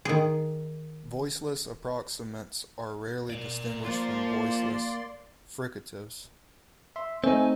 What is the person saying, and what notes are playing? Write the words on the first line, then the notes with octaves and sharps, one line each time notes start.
Voiceless approximants are rarely distinguished from voiceless fricatives.
D#3 G#4
A#4 D5
A#3 F4 C5 D5 C6
E5 C6
A3 C4 D#4 G#5